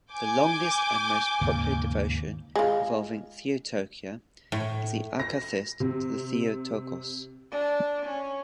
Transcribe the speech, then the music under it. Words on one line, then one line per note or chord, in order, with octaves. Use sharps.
The longest and most popular devotion involving Theotokia is the Akathist to the Theotokos.
G#5 D6 G6
D#2 G#2 C#3
G#3 F4
A2
A#6
C3
D4
C#4